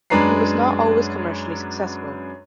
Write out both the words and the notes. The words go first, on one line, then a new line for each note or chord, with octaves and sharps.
He was not always commercially successful.
F#2 G#3 D4 B4 A#5 C7